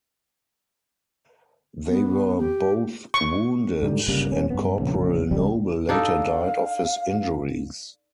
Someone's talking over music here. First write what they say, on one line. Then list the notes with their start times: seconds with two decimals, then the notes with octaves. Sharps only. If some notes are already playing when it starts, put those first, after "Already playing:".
They were both wounded, and Corporal Noble later died of his injuries.
1.89 B3
2.39 G4
3.14 C#6
3.82 G#2 D3 G3
4.08 G1 C#3 G3 A#3
4.32 E1 C#4
4.50 G2 B3
4.79 F1 A#1 C#3
5.31 F1 C#2 F#2 G3
5.89 D4 D#4 A4 F5